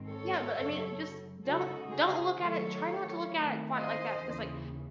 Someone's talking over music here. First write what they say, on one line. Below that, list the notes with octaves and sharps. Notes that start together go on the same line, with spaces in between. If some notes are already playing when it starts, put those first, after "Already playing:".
Yeah, but I mean, just don't don't look at it try not to look at it quite like that because, like,
Already playing: G#2 D#3 G#3 C4
A4 C#5
F#2 C#3 F#3
C#3 G#3 D#4 F#4 A4
G#4 C5
D#3 F#3 A3 A4 C#5
D#3 A3 C4 E4
C5 D#5
D#2 C#3 E3